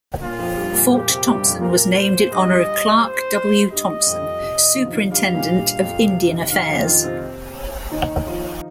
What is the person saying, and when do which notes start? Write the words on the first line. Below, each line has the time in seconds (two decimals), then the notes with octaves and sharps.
Fort Thompson was named in honor of Clark W. Thompson, Superintendent of Indian Affairs.
0.22 A#2 A#3 F4
0.39 F2 F3
0.57 G2 G3
0.74 A#2 A#3
0.91 A#2 A#3 G4
1.09 C3 C4
1.26 G2 G3
1.44 F2 F3
1.61 A#2 A#3 A#4
1.97 C5
2.31 G2 G3 D#5
3.01 C5
3.71 G2 G3 D#5
4.07 F2 F3
4.42 C3
4.76 D#3
4.85 F3
4.93 D#3
5.11 G2 G3 F5
5.34 A#2 A#3
5.58 G2 G3
5.81 F2 F3
6.04 C3
6.28 D#3
6.51 D#3 F5
6.68 F2 F3
6.86 D#3 F4
7.04 C3 C4
7.91 D#3 D#4
8.26 F3 F4